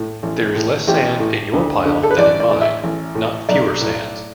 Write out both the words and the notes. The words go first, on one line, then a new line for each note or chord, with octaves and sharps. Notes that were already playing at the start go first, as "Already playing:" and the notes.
There is less sand in your pile than in mine, not fewer sands.
Already playing: A2
A1
A2
A1 G4
A2
D2
D3
A4
B4
A1 D5
D5
A2
E5
A1
A2
B1 D5
A2